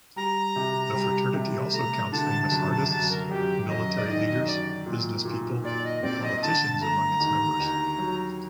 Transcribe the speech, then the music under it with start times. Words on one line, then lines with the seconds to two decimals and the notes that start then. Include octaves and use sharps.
The fraternity also counts famous artists, military leaders, business people and politicians among its members.
0.16 G3 A#5
0.56 C3
0.94 G3
1.34 C3
1.73 A3 A#5
2.12 D3 A5
2.51 F#2 A5
2.71 A5
2.90 F#2 A5
3.10 A#4
3.29 F#2 G4
3.68 F#2 D#5
3.98 D5
4.08 D#3 D#5
4.27 D#5
4.46 F#2 D5
4.86 A#2
5.25 A#2
5.64 A#2 D5
5.84 D#5
6.03 C4 D5
6.23 D#5
6.42 D3 A5
6.81 A3 A#5
7.20 D#2
7.60 D#2
7.98 F#3